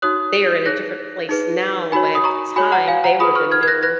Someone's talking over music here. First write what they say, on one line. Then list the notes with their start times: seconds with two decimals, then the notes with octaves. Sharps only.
They are in a different place now, but at the time they were the new
0.02 D#4 F#4 C#5 D#6 F#6
0.66 D#4 G#4 C#5 F#6 A#6
1.29 D#4 G#4 B4
1.92 D#4 F#4 C#5 G#5 B5
2.15 D#6
2.24 A#5 C#6
2.56 F#4 C#5 G#5 B5
2.72 F#5 A#5
2.88 F5 G#5
3.04 F#5 A#5
3.19 F4 G#4 B4 B5 D#6
3.35 C#6 F6
3.51 F6 G#6
3.63 G#6
3.67 F#6 A#6
3.83 B4 F#6 A#6